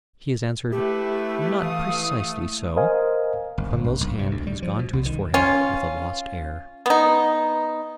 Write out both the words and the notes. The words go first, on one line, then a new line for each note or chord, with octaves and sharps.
He has answered, 'Not precisely so.' Twemlow's hand has gone to his forehead with a lost air.
A3 E4 G4 B4
E3 F5 D#6
A#4 C5 D#5 F5 G#5
G1
G1
A#1
B1
C3
D2
G3
F3
B2
C2
D#3
C#4 F4
B3 D#4